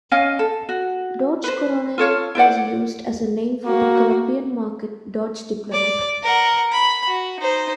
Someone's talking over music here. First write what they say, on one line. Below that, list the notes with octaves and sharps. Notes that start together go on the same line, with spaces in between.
Dodge Coronet was used as a name for the Colombian-market Dodge Diplomat.
C#4 D#5 F5 G#5
A4
F#4
B4 C5
F4 A4 C#5 F5
E4 C5 D5 F#5
A#3 F#4
D5
A#4 F#5
B5
F#4
D#4 C5